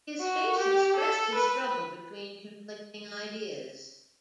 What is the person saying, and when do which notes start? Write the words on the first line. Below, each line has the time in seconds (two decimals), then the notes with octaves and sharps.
His face expressed his struggle between conflicting ideas.
0.21 F#4
0.59 G4
0.96 A4
1.35 B4